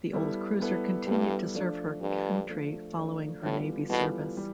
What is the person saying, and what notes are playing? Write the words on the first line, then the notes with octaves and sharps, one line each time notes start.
The old cruiser continued to serve her country following her Navy service.
G3 B3 E4 A4
G3 B3 E4 A4
G2 G3 B3 E4 A4
F3 A3 D4
G2 F3 A3 D4
F3 A3 D4
F3 A3 D4
A2 E3 G3 B3 F4 A4
B2 E3 G3 B3 F4 A4
E3 G3